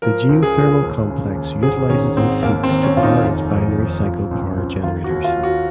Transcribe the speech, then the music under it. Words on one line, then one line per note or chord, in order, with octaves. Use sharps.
The geothermal complex utilizes this heat to power its binary cycle power generators.
F3 A#4
C#2
G#4
C#2
D#2
C#3
D#2
G#1 G#4
D#3 C#4
G#2 C4
D#2 A#3
C4
D#3
C#4
D#2 F4
D#4
F1
F2
F2
F3
C#2
C#2
D#3 F4
F#4
D#2
F4
D#2
F#4